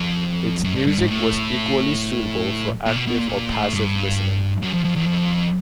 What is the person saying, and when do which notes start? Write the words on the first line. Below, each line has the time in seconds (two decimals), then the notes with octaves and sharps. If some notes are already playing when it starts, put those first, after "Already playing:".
Its music was equally suitable for active or passive listening.
Already playing: F2
0.64 F#2
0.75 G2
0.87 G2
0.98 G#2
1.09 A2
2.85 A#2
2.96 B2
3.08 B2
3.18 A#2
3.29 A#2
3.52 A2
3.74 G2
4.62 F#2
4.73 F2
4.84 F2
4.96 E2
5.06 F2